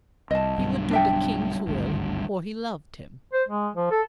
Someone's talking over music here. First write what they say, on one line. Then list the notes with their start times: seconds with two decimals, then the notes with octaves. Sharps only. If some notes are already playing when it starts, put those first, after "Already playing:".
He would do the King's will, for he loved him.
0.31 C2 D#5 A5
0.58 B1 G2 D3
0.91 D4 E5 G5
1.67 G#1 D2 G2
3.33 C5
3.48 G#3
3.76 F3
3.91 A4